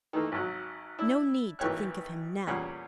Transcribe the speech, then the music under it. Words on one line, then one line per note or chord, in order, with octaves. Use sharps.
No need to think of him now.
D#3 E3 A3 A#3
G#1 F#3
D4 E4
G#1 E3 A#3 G4 C#5 F#6
E2 A#2 G3 C#4 G#4 F#5